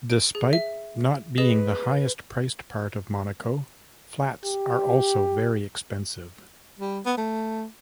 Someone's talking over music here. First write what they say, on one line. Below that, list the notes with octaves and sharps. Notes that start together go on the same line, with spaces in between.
Despite not being the highest priced part of Monaco, flats are also very expensive.
D7
G#4
E5
G#4 B4 D#5 E7
G4
G3
B3
A3